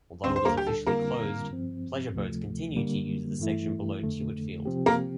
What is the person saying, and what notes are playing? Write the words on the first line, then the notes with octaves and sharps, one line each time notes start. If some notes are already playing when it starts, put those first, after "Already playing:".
Although it was officially closed, pleasure boats continued to use the section below Tewitfield.
D2 D3 G3 C4 D4 C5
C5
A#3 A#4
G4
A4
F2 D3 G3 A#3 C4 E4 A#4
G2 F3 C4
D2 C3 F3 A3
D3 G3 A#3
G2 E3 A3 E4
F2 D3 A3
C3 F3 C4 G4
A#3 A#4